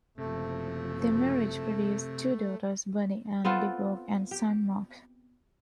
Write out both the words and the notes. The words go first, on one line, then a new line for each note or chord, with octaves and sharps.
Their marriage produced two daughters, Bunny and Deborah, and a son, Marc.
F#1 C3 F3 A3
B3 C4 F4 A4
G4